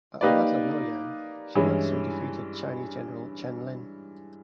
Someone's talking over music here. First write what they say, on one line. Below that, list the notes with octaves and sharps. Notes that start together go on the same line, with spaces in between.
At the Battle of Noryang, Shimazu defeated Chinese general Chen Lin.
A#3 D#4 G4 B4 D5
G2 E3 G#3 C#4 E4